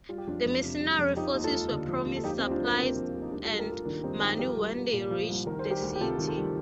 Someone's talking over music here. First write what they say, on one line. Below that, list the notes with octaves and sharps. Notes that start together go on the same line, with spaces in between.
The mercenary forces were promised supplies and money when they reached the city.
G3 F4
G4
F2 D4 F4
F2
C3
G3
F2
F3 D#4 G4
D#2
F4 A4
D#2
D3
F3
D#2
A4
F3 D#4 G4
C4 D#4
D2 G4
D4 F4
D2 A#3
C3 C4
F3
D2
D#4
G3 A#3 D4
F4 A4
G2
G4 A#4
G2 F4 A4
D#3 A#3 D4
G3 C4 D#4
G2 D#4 G4
F3 G4 A#4
C2
C2
A#2
F3
C2
D#3 A#4
C5
G3
G4 A#4
D2
G4
C3 F4 A4
D#3
F4 A4
G3